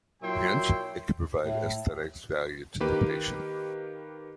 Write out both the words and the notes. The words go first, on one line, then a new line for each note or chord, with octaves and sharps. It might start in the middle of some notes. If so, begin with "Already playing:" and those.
Hence, it can provide aesthetics value to the patient.
A#2 F#3 E4 C#5 G5 C6
A2
D#3 A#3 G4 B4